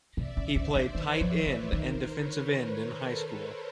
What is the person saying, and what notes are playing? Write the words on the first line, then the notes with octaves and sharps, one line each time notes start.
He played tight end and defensive end in high school.
C3 D5 E5
C#3
C#3 C5 D5
D3
D#3 B4 C#5
F3
E3
D#3 A#4 C5
B4 C#5
A#4 C5
A4 B4